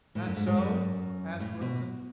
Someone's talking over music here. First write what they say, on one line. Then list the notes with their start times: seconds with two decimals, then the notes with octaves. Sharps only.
"That so?" asked Wilson.
0.15 A2
0.27 F#2
0.36 G#2
0.47 G#2
0.57 F#2
1.40 A2
1.61 B2